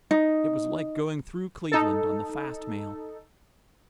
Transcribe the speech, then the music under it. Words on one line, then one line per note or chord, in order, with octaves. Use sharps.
It was like going through Cleveland on the fast mail.
D#4
D#4 A4